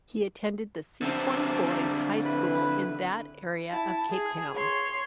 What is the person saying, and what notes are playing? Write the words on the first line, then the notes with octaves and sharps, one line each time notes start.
He attended the Seapoint Boys' High School in that area of Cape Town.
D3 C4 A4 D5 E5
E4 B4 B5
E4 A5
G#4
C#5 C6